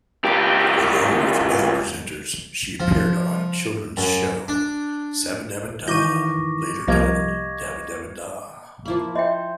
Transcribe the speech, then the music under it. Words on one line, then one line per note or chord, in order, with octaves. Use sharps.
Along with other presenters she appeared on children's show "Sabadabada", later titled "Dabadabada".
C#2 G4
F3
F#2
D4
D#3 E3 C#6 D6 G6 A#6 D#7
C2 F3 A#3 G4 D#5 F5 G#6 A#6
F3 A#3 E4 B5
C5 D#5 E5 G5